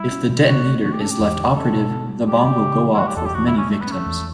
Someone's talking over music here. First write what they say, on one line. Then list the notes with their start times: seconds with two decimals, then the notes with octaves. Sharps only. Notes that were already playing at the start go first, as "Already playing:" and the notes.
If the detonator is left operative, the bomb will go off with many victims.
Already playing: G3 E4
0.12 C#4
0.29 B2
0.47 B2 F#4
0.66 A3
0.83 A3 F#4
0.92 G4
1.01 C#4 A4
1.10 G4
1.19 E2
1.37 D3
1.55 C#4 A4
1.73 B2
1.91 B2
2.09 G3
2.27 G3 G4
2.44 C#3 G4
2.63 C#3
2.80 E3
2.94 E4
2.98 G3 F#4
3.07 G4
3.16 E2 A4
3.26 G4
3.34 E2 F#4
3.46 E4
3.52 D3
3.58 C#4
3.70 G3 A3
3.81 B3
3.88 A3 C#4
4.06 E2